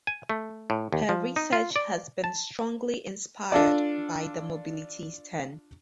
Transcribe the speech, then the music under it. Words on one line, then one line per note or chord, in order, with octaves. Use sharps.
Her research has been strongly inspired by the mobilities turn.
G#5
A3
A2
D#2
F3
D#4
F4
D5
A5
D4 F4 A4 D5